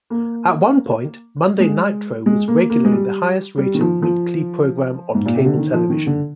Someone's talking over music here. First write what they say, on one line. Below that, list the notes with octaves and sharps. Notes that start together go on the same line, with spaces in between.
At one point, "Monday Nitro" was regularly the highest-rated weekly program on cable television.
A#3
G#3
G#3
A#3
A#3
G#3
G3
G3
D#3
F3
F3
G#2
A#2
C3
D3
D#3
F3
D#3
D3